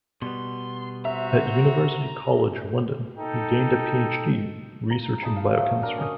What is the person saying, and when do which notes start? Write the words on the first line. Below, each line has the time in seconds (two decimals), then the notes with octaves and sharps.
At University College, London, he gained a PhD, researching Biochemistry.
0.22 B2 G3 B3 C6
1.05 C4 F#4 E5 A#5
3.19 D#4 A4 G5
4.91 A#5
5.23 D#4 A5 B5
5.36 F5
5.57 F#3 A3
5.82 D4 A#4
5.98 C#4 D#5